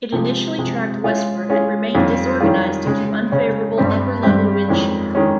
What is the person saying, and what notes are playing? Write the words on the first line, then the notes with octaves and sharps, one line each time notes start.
It initially tracked westward and remained disorganized due to unfavourable upper-level wind shear.
C3 F3 G#3
C3 F3 G#3
G#3 C#4 F4 G#4
G#3 C#4 F4 G#4
F2 D#3 G3 C#4 F4
F2 D#3 G3 C#4 F4
C#3 G#3 C#4
C#3 G#3 C#4
G2 G3 C4 G4
G2 G3 C4 G4
F2 D#3 G#3 C#4
D#3 G#3 C#4